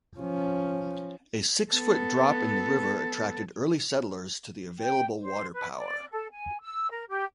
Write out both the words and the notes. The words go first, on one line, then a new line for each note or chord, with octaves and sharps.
A six-foot drop in the river attracted early settlers to the available water power.
F3 C#4
B3 A4
G5
C5
B4
D5
A4
G#5
E6
A#4
G4